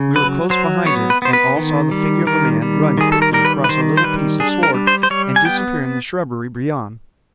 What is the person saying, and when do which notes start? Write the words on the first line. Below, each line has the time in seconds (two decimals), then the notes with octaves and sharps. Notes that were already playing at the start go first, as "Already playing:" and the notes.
We were close behind him, and all saw the figure of a man run quickly across a little piece of sward and disappear in the shrubbery beyond.
Already playing: C#3
0.15 F#3 B4
0.50 F#3 C5
0.85 B3 C#5
1.10 B4
1.22 B3 C5
1.33 B4
1.56 D#3
1.91 G3
2.27 D#3 A#4
2.62 G3
2.98 D#3 G#4
3.12 A4
3.22 A#4
3.33 G3 A#4
3.45 B4
3.64 B4
3.69 D#3 C5
3.97 C5
4.03 G3 B4
4.40 D4 G#4
4.63 A#4
4.74 G3
4.87 C5
5.03 C5
5.10 G3 C#5
5.36 G#5
5.45 B3 G5